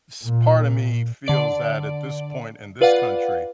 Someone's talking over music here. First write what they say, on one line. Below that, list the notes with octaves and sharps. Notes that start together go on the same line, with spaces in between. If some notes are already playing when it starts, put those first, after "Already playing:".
s part of me feels that at this point in this country,
A#2
D3 D5 D7
F4 B4 D5 F5 F#5